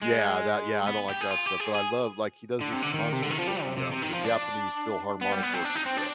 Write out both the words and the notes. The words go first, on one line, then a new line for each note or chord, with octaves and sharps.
Yeah, that yeah, I don't like that stuff, but I love like, he does this concert with the, um, the Japanese Philharmonic Orchestra
G#3
B3
G4
G#4
F4
G4
G#4
G#4
D3
C3
D3
D#3
C3
D3
D#3
F3
G3
C3
C3
C3
D#3
F3
D4
B3
G3
B3
C4
D4
D#4
C4
D4